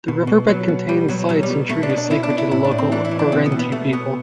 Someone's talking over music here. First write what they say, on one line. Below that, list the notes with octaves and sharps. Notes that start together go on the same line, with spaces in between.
The riverbed contains sites and trees sacred to the local Arrente people.
B2
B2
B2 F#3
B2
B2 G3
B2 F#3
B2 F#3
G3
B2
B2 A3
D4
B2
D4
B2 E4
D4
B2
E4
A2 E4
D4
A2
C4
E3 D4
E4
E3
D4
B2 C4
B3
B2
B3
B2 A3
B2 B3